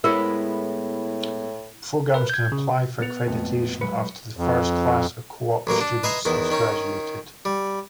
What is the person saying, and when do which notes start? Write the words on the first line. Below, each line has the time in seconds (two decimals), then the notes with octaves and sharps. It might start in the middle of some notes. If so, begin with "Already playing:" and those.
Programs can apply for accreditation after the first class of co-op students has graduated.
0.04 A2 G#3 B3 E4 A#4 C#5
2.14 A#4 B4
2.30 G6 G#6
2.52 C#3
3.01 B3 A6 C#7 F7
3.26 G#1 F2 A2
3.81 F#3 G#3 B4 C#7
4.37 F2
5.67 A1 F#3 A#3 A#5
5.81 D4
6.03 B4 D#5 E5 G#5 A#5 C6
6.25 E2 D#3 E3
6.50 D#3 C#4 D#4
7.45 G3